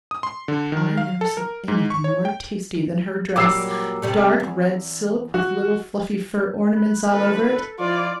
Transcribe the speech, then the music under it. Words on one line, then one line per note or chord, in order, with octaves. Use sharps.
I never saw anything more tasty than her dress,--dark red silk, with little fluffy fur ornaments all over it.
D#6
C6
D3
D#3
F5
A4
A#4
G#2
C#6
C#5
G5
A#2 F#3 G3 D6 E6 C7
C3 G3 A3
E2
F#4
B5 F#6
D#1 A4 B4 D#5
A4
F3 E4 F4 D5 D#5